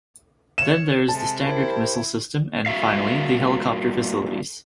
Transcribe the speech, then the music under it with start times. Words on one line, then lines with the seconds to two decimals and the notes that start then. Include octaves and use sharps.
Then there is the Standard missile system and finally the helicopter facilities.
0.58 C#5 E7
1.08 C3 G#3 A4 A5
1.43 E4 G4 A#4 C5
2.66 G2 A#2 F#4 E5 F5